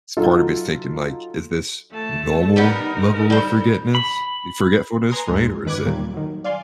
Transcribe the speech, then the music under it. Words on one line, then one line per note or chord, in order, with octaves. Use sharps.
s part of me is thinking, like, "Is this normal level of forgetness forgetfulness, right, or is it
F#3 D#4 F4 A4
A3 A5
G3 B3 D#4 G4 A#4
G3 C5
B5
B4 G#5 A#5 C6 D#6
D#2 G#2 G#3
F#2 D#3 B4 D6 F#6 G#6
D#2 A#2 D#3 G3
D#3 F#3
D5 F5 G#5 C6